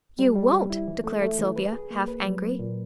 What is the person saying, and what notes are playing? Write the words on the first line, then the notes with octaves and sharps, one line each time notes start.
"You won't!" declared Sylvia, half angrily.
G3
G3
G3
E4
E3
A3
A3
E3
B4
G#4
A#3
B4
F#3
A#3
A#2